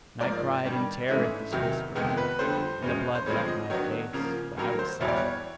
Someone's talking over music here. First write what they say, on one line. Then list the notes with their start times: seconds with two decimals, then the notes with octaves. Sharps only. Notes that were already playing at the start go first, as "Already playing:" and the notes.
And I cried in terror at this whispering, and the blood left my face: but I was silent.
0.21 G#2 F3 A#3 D5
0.65 G2 D#3 G3
1.08 G#2 E3 A3 C#4 E4 E5
1.52 E2 C3 D#3 F#3
1.95 F2 C3 D#3 G#3 B3
2.17 B4
2.39 F2 D3 G3 C5
2.82 E2 B2 G#3 C#4
3.15 C5
3.26 G2 D3 F3 G#3 C4 C#5
3.48 D#5
3.70 D#3 F#3 B3 D4 C#5
4.13 C#3 F3 A#3
4.57 G2 D#3 F#3 A#3
4.79 C5
5.00 E2 B2 G3 B3 E4 C#5
5.08 D5
5.16 C#5